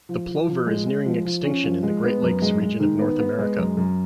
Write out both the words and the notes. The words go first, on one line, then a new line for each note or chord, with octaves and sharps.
The plover is nearing extinction in the Great Lakes region of North America.
F3
F3
F3
G#3
G#3
F3
F3
C#4
F3
G#3
B3
F#2
G#3
G#3
D#3
B3
B3
G#3
F#2
F#2